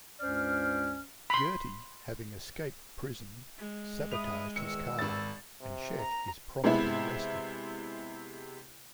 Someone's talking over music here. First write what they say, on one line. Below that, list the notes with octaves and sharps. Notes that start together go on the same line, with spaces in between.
Gertie, having escaped prison, sabotaged his car, and Scheck is promptly arrested.
C#2 G2 C#4 C5 D5 F6
B5 C6
G#3
E5 B5 D#6 F7
E2 D#3 E6 C#7
G#1 A6
C3
A#5
C3 G#3 B3 E4